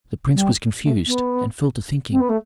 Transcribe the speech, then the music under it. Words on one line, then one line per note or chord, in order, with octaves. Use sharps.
The prince was confused and fell to thinking.
G3
A3
B3
C4
B3
A3